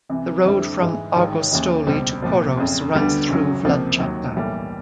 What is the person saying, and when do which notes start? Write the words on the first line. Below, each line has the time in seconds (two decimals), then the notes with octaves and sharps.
The road from Argostoli to Poros runs through Vlachata.
0.09 C2 C3 E3
0.44 F2 D3 G3 C4 E4
0.81 G#2 E3 G#3
1.16 A1 G#2 D#3 G#3
1.52 D#2 C#3 E3
1.87 C#2 B2 G3 C4
2.22 C2 A#2 F3
2.58 F#1 F2 C#3
2.94 D2 D3 G3 B3
3.28 G#1 F#2 C#3 F#3
3.65 C#2 C3 F3 A#3
4.00 D#2 D#3 F#3
4.36 B1 A2 E3 G3 A#3